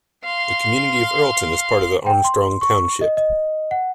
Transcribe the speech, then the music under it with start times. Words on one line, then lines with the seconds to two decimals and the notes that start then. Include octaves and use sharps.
The community of Earlton is part of Armstrong Township.
0.24 F5 C6
2.06 G5
2.24 C6
2.61 C#6
3.01 D#5
3.17 D#5
3.71 F#5